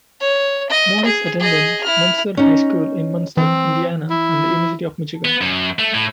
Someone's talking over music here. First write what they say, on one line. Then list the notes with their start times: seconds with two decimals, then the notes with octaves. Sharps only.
Morris attended Munster High School in Munster, Indiana, and the University of Michigan.
0.20 C#5
0.70 D#5
1.05 G#4
1.40 G#4 D#5
1.84 E4 F6
2.37 C#4 D#4
3.37 E3 C4
4.10 E4
5.25 B3
5.41 F#2
5.79 A3
5.94 A2